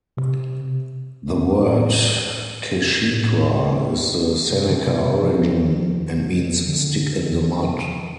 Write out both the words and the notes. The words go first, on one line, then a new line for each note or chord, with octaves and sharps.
The word Keshequa is of Seneca origin and means Stick in the Mud.
C3
A2
A2
C3
D3
C3
C3
F3
D3